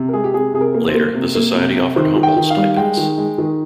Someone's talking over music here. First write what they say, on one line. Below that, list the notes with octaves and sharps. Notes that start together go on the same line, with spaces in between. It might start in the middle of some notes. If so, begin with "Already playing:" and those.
Later, the society offered Humboldt stipends.
Already playing: C3
A#4
G#3 G#4
G4
C3 G#4
C3 G#4
A#4
A#3
C5
A#3
C3
A#3
C3
C3
D#3 C5
D#3
G5
D#3
F5
G3
G#3 G5
D#3
G#3
D#3